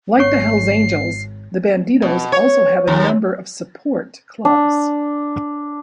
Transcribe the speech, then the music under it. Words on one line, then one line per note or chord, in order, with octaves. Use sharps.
Like the Hells Angels, The Bandidos also have a number of "support" clubs.
G#1 C#5 C#6 C7
B2
C#5
D#2
D4